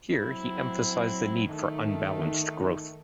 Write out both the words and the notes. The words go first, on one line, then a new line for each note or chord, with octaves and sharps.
Here he emphasized the need for unbalanced growth.
F#3 C4 E4
D#3 A3 D#4